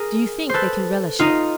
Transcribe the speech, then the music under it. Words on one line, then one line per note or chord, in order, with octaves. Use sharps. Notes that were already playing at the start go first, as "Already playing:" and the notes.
Do you think they can relish it?
Already playing: G#4 A#4
A4 B4 C5
D#4 F4